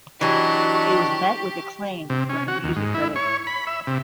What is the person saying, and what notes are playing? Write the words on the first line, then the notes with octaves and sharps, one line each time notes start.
It was met with acclaim from music critics.
E3 F#3 D4 D#4 F#4 G4 C#6
C3
C#4
F#4
D#2
G#2
E4
C#5
B5
E5
C3